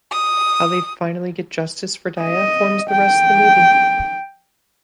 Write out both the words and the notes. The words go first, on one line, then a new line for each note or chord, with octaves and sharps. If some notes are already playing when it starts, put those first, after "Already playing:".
How they finally get justice for Diya forms the rest of the movie.
D#6
D#5
G5